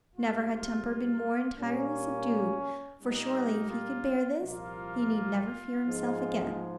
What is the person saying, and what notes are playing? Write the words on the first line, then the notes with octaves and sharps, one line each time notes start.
Never had temper been more entirely subdued; for surely if he could bear this, he need never fear himself again.
G#2 G3 A#3 F4
A#2 G3 A#3 C#4
A#2 G3 A#3 D#4
F4
C2 A#2 F3 A#3 F4
G#2 F3 G#3